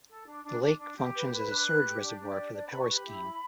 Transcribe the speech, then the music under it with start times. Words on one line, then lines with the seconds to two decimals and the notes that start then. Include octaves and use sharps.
The lake functions as a surge reservoir for the power scheme.
0.09 A4
0.27 D4
0.44 D4
0.61 D4
0.78 D4
0.96 G4
1.14 B4
1.31 B4
1.48 D4 F#6
1.66 B4
1.84 G4
2.01 D4
2.18 G4
2.27 D5
2.36 D4
2.52 D4 D5
2.66 B4 B5
2.79 C#6
2.88 G4 B5
3.06 E4
3.23 E4